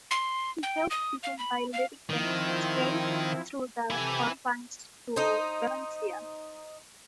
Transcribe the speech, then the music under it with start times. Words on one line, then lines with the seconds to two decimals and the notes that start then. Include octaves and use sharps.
He helped people by letting them escape through the frontlines to Valencia.
0.11 C6
0.63 G5
0.90 D#6
1.23 F5
1.39 B5
1.73 F5
2.10 D#3 F3 C4 E4
3.90 C3 E4 G4 A4 G#5
5.16 D#4 C5